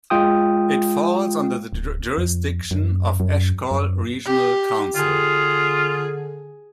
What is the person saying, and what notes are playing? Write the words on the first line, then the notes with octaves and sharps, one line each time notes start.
It falls under the jurisdiction of Eshkol Regional Council.
G#3 F4 G5 D#6
D1
F2
F#2
F#2
F#2
G4
D3 F4 G#4